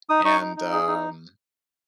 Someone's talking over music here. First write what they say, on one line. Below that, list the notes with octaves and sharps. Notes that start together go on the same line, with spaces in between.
and, um
D#4 D#6
D#4 C#6
D#4
D#4
G#4
D#4